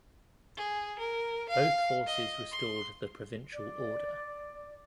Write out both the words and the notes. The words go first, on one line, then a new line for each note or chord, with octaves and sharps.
Both forces restored the provincial order.
G#4
A#4
F5
D#5
C6
D5